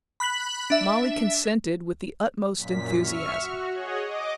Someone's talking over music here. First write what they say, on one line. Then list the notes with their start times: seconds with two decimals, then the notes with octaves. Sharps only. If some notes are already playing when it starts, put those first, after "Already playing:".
Molly consented with the utmost enthusiasm.
0.20 B5 F#6 B6 F#7
0.70 D4 E5
2.56 F#2 A#2 B6
3.01 E5 C#6 F6
3.39 F#4
3.74 G#4 C#5 D#5 F#5
4.06 D#5 D6